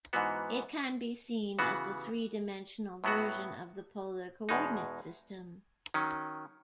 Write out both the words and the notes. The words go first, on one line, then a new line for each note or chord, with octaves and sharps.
It can be seen as the three-dimensional version of the polar coordinate system.
G#2 E3 B3 F#4
C#3 E3 B3 F#4
A2 F#3 B3 F#4
E2 B2 G#3 D#4
D#3 F#3 C#4